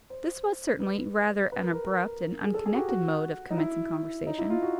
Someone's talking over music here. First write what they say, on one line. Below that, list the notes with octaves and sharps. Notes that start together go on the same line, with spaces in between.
This was certainly rather an abrupt and unconnected mode of commencing conversation.
C5
B4
B4
A#4
A#4
A#4
G#4
A4
G#4
F#4
G4
F#4
D#4
E4
D#4
E4
F4
F#4